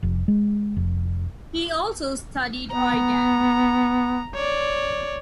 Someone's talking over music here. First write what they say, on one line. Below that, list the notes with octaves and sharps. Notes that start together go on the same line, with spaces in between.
He also studied organ.
F1
G#3
F1
B3 A#5
C#5 D5